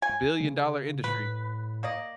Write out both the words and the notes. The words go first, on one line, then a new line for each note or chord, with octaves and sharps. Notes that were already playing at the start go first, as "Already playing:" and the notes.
Billion dollar industry.
G#5
C#3
A2 B4
A#3 D5 D#5